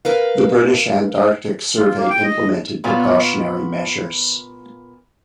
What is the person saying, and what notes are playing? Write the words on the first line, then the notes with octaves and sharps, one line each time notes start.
The British Antarctic Survey implemented precautionary measures.
A#4 B4 F5
F4
A#3
G5
D#5
A#2 B3 F4 C#5